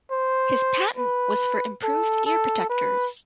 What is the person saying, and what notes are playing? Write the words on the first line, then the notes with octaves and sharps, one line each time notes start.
His patent was for improved ear protectors.
C5
B4
A4
A4
B4